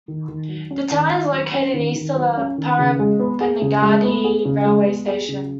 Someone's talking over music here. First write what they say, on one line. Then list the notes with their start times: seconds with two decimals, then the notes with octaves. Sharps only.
The town is located east of the Parappanangadi Railway station.
0.08 D#3
0.28 D#3
0.49 F#3
0.71 C#4
0.91 D#3
1.12 D#3
1.32 F#3
1.53 C#4
1.74 D#3
1.95 D#3
2.15 F#3
2.37 C#4
2.58 D#3
2.79 C#3
2.99 G#3
3.19 B3
3.41 G#4
3.62 C#3
3.82 G#3
4.04 B3
4.24 G#4
4.45 C#3
4.65 G#3
4.86 B3
5.07 G#4
5.29 C#3